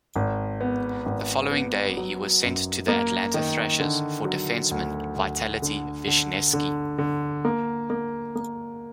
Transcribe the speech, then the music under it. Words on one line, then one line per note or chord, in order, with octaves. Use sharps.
The following day, he was sent to the Atlanta Thrashers for defenceman Vitaly Vishnevski.
G#1
B3
G#1
B3
F#3
F#2
A#3
D#3
D3
F#3
D2
D2
D3
D3
D3
D3
A#3
A#3
A#3